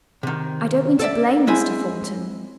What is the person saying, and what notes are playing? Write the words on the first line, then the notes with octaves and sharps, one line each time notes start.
I don't mean to blame Mr. Thornton.
C3 D#3
A4 D5 E5
G#3 C4 E4 G#5